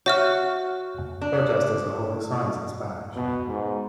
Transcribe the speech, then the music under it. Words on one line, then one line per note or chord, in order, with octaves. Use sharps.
Protesters are holding signs in Spanish.
F#4 C#5 E5 F6
D4
B2
G#2